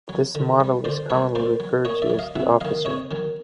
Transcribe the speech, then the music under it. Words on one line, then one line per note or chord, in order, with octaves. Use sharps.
This model is commonly referred to as the "Officer".
F#3
D3
G3
D3 C5 D5
G3 B4 C#5
A#2 C5 D5
F#3
A#2 C#5 D#5
D5 E5
F#3
D#5 F5
C3 E5 F#5
D#3 F#3 D#5 F5
C3 C#5 D#5
D#3 F#3